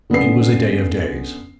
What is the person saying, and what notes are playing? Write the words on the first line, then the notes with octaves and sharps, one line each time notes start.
It was a day of days.
D3 B3 C#4 B4 C7